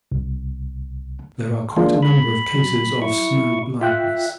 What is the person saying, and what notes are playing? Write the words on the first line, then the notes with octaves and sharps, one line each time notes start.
There are quite a number of cases of snow blindness.
C2
G#3 A#3 D4 F4
B5
F#3
E4 C#6
F4 E5 G5 F#6